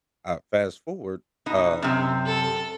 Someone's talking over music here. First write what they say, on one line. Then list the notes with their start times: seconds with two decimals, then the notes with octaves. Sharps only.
I fast forward, um,
1.46 B2 D#4
1.82 F#2 C3
2.26 A4